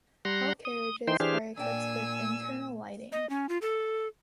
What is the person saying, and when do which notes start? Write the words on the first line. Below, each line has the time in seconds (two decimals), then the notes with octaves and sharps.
All carriages are equipped with internal lighting.
0.25 G3 F#5 A#5 C6
0.65 D#6
1.08 E3 D#4 C5 G5 C6
1.20 E3 D4 G4 G#4 C5 F6
1.57 A#2 D4 G5 G#5 E6
3.12 D#5
3.30 C#4
3.49 F4
3.62 A4